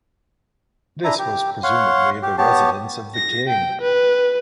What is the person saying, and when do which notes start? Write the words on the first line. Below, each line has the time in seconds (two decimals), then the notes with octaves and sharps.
This was presumably the residence of the king.
1.04 D4 E4 E5 A#5
1.19 G4
1.63 C#5 F5 F#5 C6
2.23 G4
2.38 B3 G4 C#5 A5
3.15 A#6
3.48 G5
3.81 B4